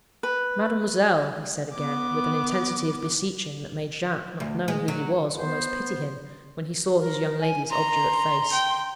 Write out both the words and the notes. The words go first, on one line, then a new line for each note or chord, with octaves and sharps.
'Mademoiselle!' he said again, with an intensity of beseeching that made Jacques--not knowing who he was--almost pity him, when he saw his young lady's obdurate face.
B4
B3 D6
D2
G#3
F#3
B3 C5
A#4
G#5
A#5 C6
G5